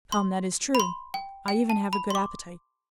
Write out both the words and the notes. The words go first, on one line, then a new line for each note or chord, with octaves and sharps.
"Come, that is true; I even have a good appetite."
C6
B5
C6
G5
G5
A5
B5
C6
D6